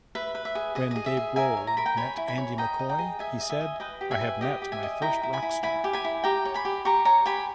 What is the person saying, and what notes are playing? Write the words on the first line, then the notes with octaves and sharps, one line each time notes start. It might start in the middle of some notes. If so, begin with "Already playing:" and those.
When Dave Grohl met Andy McCoy he said I have met my first Rockstar.
B4 E5
B4
E5
G#4
G#4 D#5
G#4 D#5
E5
G#4
A#4 E5 G#5
C#5
A#5
A#4 B5
G5 A#5
C#5 G#5 B5
E4
G#5 B5
C#5
D#5 G5 A#5
D#5
G5 A#5
G#4
D#5 E5 G#5
D#5
E5 G#5
D#5
B4 D#5 G5
G4
E5 G#5
B4
G4 D#5 G5
G4
E5 G#5
D#5
E4 G5 A#5
E4
G#5 B5
E4
E4 G#5 B5
G4
G#5 B5
E4
G4 G5 A#5
C#5
G#5 B5
G4
G4 A#5 C#6
C#5 A#5 C#6
G4 G#5 B5